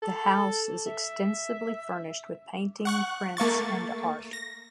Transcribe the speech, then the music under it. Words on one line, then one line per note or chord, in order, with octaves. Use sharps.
The house is extensively furnished with paintings, prints, and art.
A4
E5
F#5 C#6 F#6
A3 A#3 C#6 A6
A#6